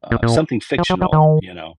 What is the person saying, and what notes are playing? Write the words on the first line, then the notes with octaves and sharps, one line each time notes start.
uh, something fictional, you know.
A#2
A#2
F3
F#3
F#3
D#3